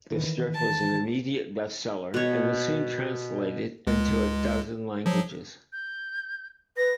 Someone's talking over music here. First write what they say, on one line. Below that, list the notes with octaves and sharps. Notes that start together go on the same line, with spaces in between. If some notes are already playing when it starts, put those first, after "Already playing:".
The strip was an immediate bestseller and was soon translated into a dozen languages.
D#3 E3
A5
B2 C#5
C#2 G#3
F3 F#3
G6
B4 A#6